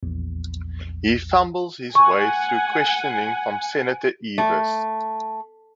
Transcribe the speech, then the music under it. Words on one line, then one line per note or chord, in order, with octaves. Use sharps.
He fumbles his way through questioning from Senator Eavis.
A#1 E2
F#5 G#5 C#6
A3